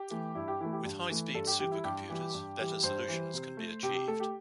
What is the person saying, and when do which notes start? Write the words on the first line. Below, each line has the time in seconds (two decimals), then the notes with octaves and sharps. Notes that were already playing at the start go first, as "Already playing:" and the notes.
With high-speed supercomputers, better solutions can be achieved.
Already playing: G4
0.10 E3 A3
0.35 G2 E4
0.48 G4
0.60 E3 A3 E4
0.72 G4
0.85 G2
1.10 E3 A3
1.34 G2 A4
1.47 G4
1.59 E3 G3 G4
1.72 E4
1.84 G2 G4
2.09 E3 G3
2.34 G2
2.59 E3 G3
2.83 G2 C5
3.08 E3 G3
3.34 C3
3.57 A3
3.83 C3 G4
3.95 G4
4.07 A3 A4
4.20 G4